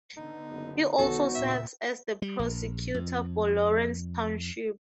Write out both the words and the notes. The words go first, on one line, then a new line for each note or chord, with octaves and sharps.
He also serves as the prosecutor for Lawrence Township.
D3 B3 D#4
F#1
C2 D#3 B3 D#4 F#4 A4
D#2 A#2 C#3 E5
G3
A#1
F2